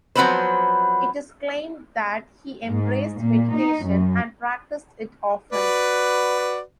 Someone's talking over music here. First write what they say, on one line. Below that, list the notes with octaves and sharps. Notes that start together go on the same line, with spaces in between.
It is claimed that he embraced meditation and practiced it often.
F3 F#3 B3 C4 B4 C5
G#2
A#2
D#4
F#2
F#4 B4 D5